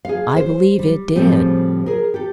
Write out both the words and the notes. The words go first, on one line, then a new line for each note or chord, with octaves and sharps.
"I believe it did."
G#4 F5
C5
G3
A2 C#3 F3 G3 C4
G#4 A#4
G4 A4